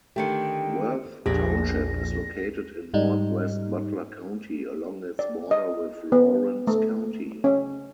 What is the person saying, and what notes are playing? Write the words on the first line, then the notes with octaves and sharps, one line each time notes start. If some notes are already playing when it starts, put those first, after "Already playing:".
Worth Township is located in northwest Butler County, along its border with Lawrence County.
D3 D#3 A3 G4 G5 C#7
A#1 E2 D4 G4 G#4 A#6
G#2 G3 D#4
D5
D#5
B3
A3
C#4